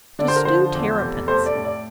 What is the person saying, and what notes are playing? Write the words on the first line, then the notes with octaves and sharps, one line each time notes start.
To Stew Terrapins.
D3 D5
C5
A#4
F3 C5
E2
F1
A3 C5
D5
A2
D5